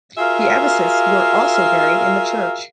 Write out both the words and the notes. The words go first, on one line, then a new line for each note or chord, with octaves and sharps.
The abbesses were also buried in the church.
F4 F#4 G#4 A#4 E5 F5